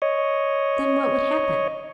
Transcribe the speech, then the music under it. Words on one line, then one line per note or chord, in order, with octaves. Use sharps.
"Then what would happen?"
C#5 D#5